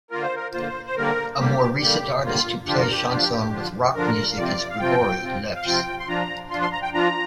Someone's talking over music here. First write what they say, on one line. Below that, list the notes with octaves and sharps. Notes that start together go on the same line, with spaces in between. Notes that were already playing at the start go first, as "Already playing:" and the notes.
A more recent artist who plays chanson with Rock music is Grigory Leps.
D3 A#3 F4 A#4
C5
A#4
D3 A#3 F4 C5
C5
D3 G3 A#3 A#4
D3 G3 A#3 G4
D3 G3 A#3 G4
D3 G3 A#3 F4
D3 F3 D4 F4 G4
A#4
G4
D3 F3 D4 F4
D3 F3 D4 F4
D3 F3 D4 F4 A#4
F5
C3 F3 C4 F4 D5
F5
C3 F3 C4 F4 G5
C3 F3 C4 F4
F5
C3 F3 C4 F4 G5
C6
F3 D4 F4 A#5
F3 D4 F4 C6
C6
A#5
G5
F3 D4 F4 A#5